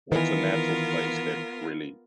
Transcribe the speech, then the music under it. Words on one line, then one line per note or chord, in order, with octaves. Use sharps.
What's a natural place that really
D#3 E3 B3 F4 A#4